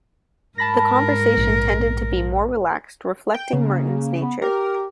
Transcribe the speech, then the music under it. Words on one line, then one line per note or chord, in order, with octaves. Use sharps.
The conversation tended to be more relaxed, reflecting Merton's nature.
G#2 A#4 A5 B5 A#6
A#1
G5
C#3 A#3
B3
G4 A#4